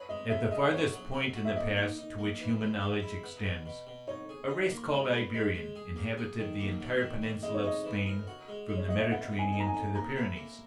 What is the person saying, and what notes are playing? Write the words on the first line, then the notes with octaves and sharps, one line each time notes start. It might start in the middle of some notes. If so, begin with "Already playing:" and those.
At the farthest point in the past to which human knowledge extends a race called Iberian inhabited the entire peninsula of Spain, from the Mediterranean to the Pyrenees.
Already playing: B4 C#5
G#3 D#5
G#3 E5
G#4 D#5
F#3 C#5
F#3
F#3
F#4
E5
A#3 D#5
D#4
D#4
A#3
E3
G#3
G#3
E4
B3
B2
B2
B2
D#4 C#5
G#4
D#4
A#3
G#3
B3
G#3
G#3
G#4
A#3
G#4
D#3
A#3
F#3
D#3
A#3
G#3 D#5
C#5
D#4 D#5
E3
A#4
F#4
G#3
G#3
C#5
F#4 D#5
E5
B2 F#5
D#4
G#5
D#4
A#5
G#5
D#4
A#3 A#5
E4
A#3